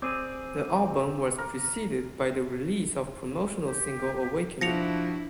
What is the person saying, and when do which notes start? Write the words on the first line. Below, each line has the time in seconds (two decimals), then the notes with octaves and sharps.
The album was preceded by the release of promotional single "Awakening".
0.02 C4 G#4 D5
1.38 A#4
3.63 G4
4.61 F3 D4 E4 F#4 A#6 C#7 F7